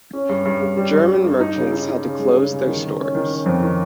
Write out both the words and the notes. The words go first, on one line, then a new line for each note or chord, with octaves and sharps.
German merchants had to close their stores.
C#4
G2
G2
G2
G3
G2
G2
G2
D#4
C#3
D#4
D#4
C#3
G#3
C#3
C#3
D#3
D#3
C#4
D#3
C#4
F2
D#3